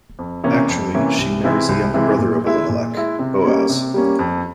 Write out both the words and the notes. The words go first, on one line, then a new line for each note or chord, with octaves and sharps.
Actually, she marries a younger brother of Elimelech, Boaz.
F2
C3 E3 A#3 C#4
F2
C3 E3 A#3 C#4
C2
C3 E3 G#3 E4
C2
C3 E3 G#3 E4
A#2
G#3 E4
A#2
G#3 E4
C3
G3 A#3 C#4
C3
G3 A#3 C#4
F2